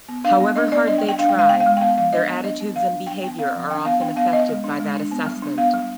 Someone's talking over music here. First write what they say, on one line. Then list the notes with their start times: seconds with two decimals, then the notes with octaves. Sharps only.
However hard they try, their attitudes and behaviour are often affected by that assessment.
0.08 B3
0.24 D4 F5
0.40 B3
0.56 D4 D#5
0.72 B3 D5
0.87 D4 D#5
0.98 G5
1.03 G3
1.09 G5
1.19 D4 F5
1.29 G5
1.34 G#3 F5
1.49 B3 G5
1.60 F5
1.66 G#3
1.77 G5
1.81 B3 F5
1.98 F3 F5
2.13 D4 D#5
2.29 B3
2.44 D4 D#5
2.61 B3
2.76 G3 F5
2.91 D4
3.07 D4 G5
3.23 B3 G5
3.39 C4 F5
3.54 F3
3.70 D4 G5
3.85 B3 F5
4.01 D4 G5
4.16 B3 F5
4.33 B3 D#5
4.49 G#3
4.64 D4
4.80 G#3
4.95 D4
5.11 B3
5.26 G3
5.42 D4
5.58 B3 F5
5.74 G3